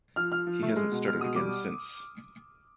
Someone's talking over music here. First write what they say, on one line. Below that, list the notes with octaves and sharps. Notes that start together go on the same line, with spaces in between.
He hasn't started again since.
F3 F6
F3 F6
F3
A3
G#3
B2
G#3 F6
B2 D#6
G3 D6